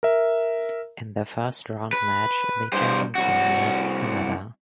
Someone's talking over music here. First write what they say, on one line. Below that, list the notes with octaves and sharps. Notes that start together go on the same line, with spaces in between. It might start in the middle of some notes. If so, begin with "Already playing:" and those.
In the first round match the German team met Canada.
A#4 E5
B4
G2 C5
C2 F#4